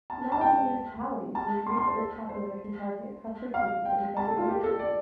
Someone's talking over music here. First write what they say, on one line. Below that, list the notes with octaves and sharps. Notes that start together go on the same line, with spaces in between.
Not all municipalities which reach this population target have pursued city designation.
A5
A5
G5
A5
C6
C6
C5
A4
C5
F5
G5
A5
A4
F4
G4
A4
D5